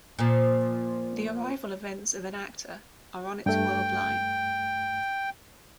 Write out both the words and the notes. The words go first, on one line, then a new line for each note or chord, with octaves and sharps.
The arrival events of an Actor are on its world line.
A#2 F3
G2 A3 G5